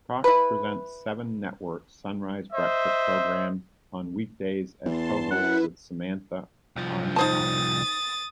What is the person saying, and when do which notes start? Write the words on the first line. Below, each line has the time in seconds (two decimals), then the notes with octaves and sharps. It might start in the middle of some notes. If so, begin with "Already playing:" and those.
Koch presents Seven Network's "Sunrise" breakfast program on weekdays as co-host with Samantha Armytage.
0.24 E4 B4
2.53 C5 D#5 E5
4.85 E2 A5 C6
5.31 F#2 E4 B4 F#5
6.76 C2 F3
7.16 D#4 C5 A5 D#6 A6